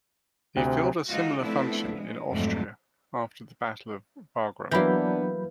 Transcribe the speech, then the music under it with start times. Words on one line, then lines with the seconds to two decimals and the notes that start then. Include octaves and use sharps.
He filled a similar function in Austria after the battle of Wagram.
0.57 D2 C3
1.07 D3 G#3 D#4 F4 F#4
1.41 F3 A3 B3 C4 D4 E4
1.96 G#3
2.31 F2 G#2 D3 F#3 G3 A3
4.71 E3 F#3 A#3 B3 D4 B5 G6